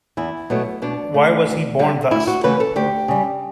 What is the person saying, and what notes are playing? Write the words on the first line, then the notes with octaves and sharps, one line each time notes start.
Why was he born thus?
E2 E4
B2 F#3 A3
B2 D4
A3
D2
D3 G3
D2 E4
F#4
C#3 E3 A3 B4
A4
D2 G4
C#3 G3